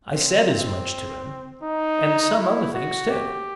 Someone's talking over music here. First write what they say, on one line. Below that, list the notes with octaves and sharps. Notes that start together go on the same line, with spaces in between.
I said as much to him--and some other things too.
C4
D#4
E4
F#4
G4